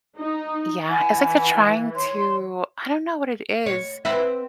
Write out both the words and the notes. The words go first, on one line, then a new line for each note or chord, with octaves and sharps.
Yeah, it's like they're trying to I don't know what it is.
D#4
E3 F#5 G#5 B5
C#5 C6
C#5
C4 B4 E5